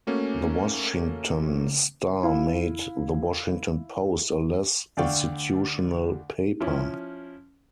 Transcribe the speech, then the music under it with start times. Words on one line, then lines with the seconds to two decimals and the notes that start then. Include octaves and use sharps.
The Washington Star made The Washington Post a less institutional paper.
0.07 A3 A#3 C#4 F#4
2.23 E4 F5
4.97 D2 D3 D5 F5 G5 C#6
6.60 F3 C#4 E4